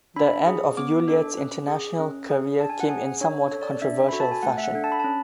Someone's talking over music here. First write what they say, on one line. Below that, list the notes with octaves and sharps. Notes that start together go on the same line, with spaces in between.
The end of Ulyett's international career came in somewhat controversial fashion.
D4 B5
G#4
B3 D6
D4 A4
C#4
G#4
C#4
G#4
D4 A5
G#5
F#5
G#4 G#5
D4 C#5
C#5
A4
D5
D4 E5
F#4 A4 B5
A5
G#5
A3 F#5
E5
F#5
D4 A4
A5
B5
C#4 A5